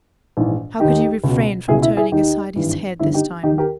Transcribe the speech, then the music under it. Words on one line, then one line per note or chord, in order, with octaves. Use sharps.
How could he refrain from turning aside his head this time?
A#1 G#2 E3
D#2 D#3 D#4 G4
C#2 B2
C#2 B2 E4 G#4
E4
E4 G#4
D#2 D#3 D#4 G4
G#1 G2 E3
G1 G2 D#3 E4
D#4 G4
D#2 D#3 D#4 G4
G4 A#4